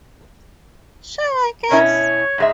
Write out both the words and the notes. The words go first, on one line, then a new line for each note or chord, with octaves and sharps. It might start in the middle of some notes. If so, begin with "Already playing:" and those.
Sure, I guess.
B2 C#4 E4 C#5
G#2 G#3 E5